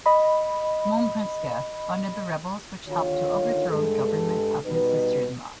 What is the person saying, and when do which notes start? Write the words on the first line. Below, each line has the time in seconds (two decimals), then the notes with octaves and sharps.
Montpensier funded the rebels, which helped to overthrow the government of his sister-in-law.
0.06 D#5 B5
2.87 D#2 D3 D#3 F4 C#5
3.70 G2 G#3 A4
4.65 B2 G3 D#4 B4